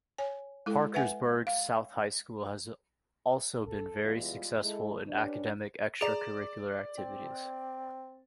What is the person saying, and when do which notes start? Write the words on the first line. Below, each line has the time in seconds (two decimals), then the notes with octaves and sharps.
Parkersburg South High School has also been very successful in academic extracurricular activities.
0.18 C#5 G#5
0.66 G#3 E4 A4
0.94 B4 E5 F#5 G#5
1.47 F5
3.65 A4
4.03 E2 G3 G#3 F4
4.62 G#3 E4 A4
5.08 C#4 D4 G4 B4
6.01 G#4 D5 A#5 E7
6.98 C4